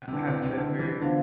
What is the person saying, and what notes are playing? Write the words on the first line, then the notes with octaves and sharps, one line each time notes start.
A have you ever
C3
D3 E4 B4 D5
C3
C3
D3
E3
D3 B3 D4 F4 C5 F5